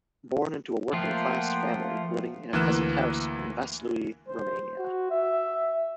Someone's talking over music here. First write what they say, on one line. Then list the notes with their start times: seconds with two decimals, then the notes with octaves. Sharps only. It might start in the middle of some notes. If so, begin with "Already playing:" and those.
Born into a working-class family living in a peasant house in Vaslui, Romania.
0.93 F3 A3 A#3 F4 F#5 G5
2.53 D2 E3 A#3 F#6 E7
4.28 C5
4.78 F#4
5.11 E5